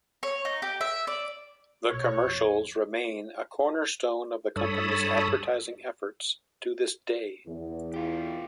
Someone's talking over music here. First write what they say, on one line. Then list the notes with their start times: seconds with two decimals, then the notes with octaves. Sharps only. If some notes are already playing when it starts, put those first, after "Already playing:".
The commercials remain a cornerstone of the company's advertising efforts to this day.
0.23 C#5
0.45 D#4
0.62 G4
0.81 E5
1.07 D5
1.89 A#1 B2 C#5
2.26 F2
4.56 G2 A4 C#5 A5 B5 D#6
7.46 E2
7.94 F4 G4